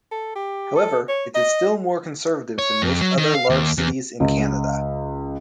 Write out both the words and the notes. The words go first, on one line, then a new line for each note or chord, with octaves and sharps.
However, it is still more conservative than most other large cities in Canada.
A4
G4
A4
C#5
D#5
C#5
F2
F#3
D#3
F5
D#2
E2
C#2